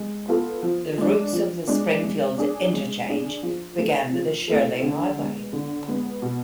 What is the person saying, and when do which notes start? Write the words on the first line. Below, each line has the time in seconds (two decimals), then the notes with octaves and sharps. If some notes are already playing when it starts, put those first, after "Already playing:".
The roots of the Springfield Interchange began with the Shirley Highway.
Already playing: G#3
0.28 B3 F4 A4
0.63 F3
0.98 G#3 D4
1.33 F3
1.67 G#3 D4
2.03 G#3
2.38 D4 G#4
2.73 G#3
3.08 D4 G#4
3.43 F3
3.78 A3 E4 A4
4.13 F3
4.48 A3 E4 A4
4.83 D3
5.18 G#3 B3
5.53 D3
5.88 G#3 B3
6.22 B2